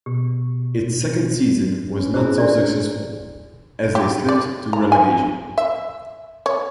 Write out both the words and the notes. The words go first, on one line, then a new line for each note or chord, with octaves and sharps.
Its second season was not so successful, as they slipped to relegation.
B2 G4
C#4
E4 G#4 C5
D4 E4 D5
G4
D5
A#5
G#5
E5
C#5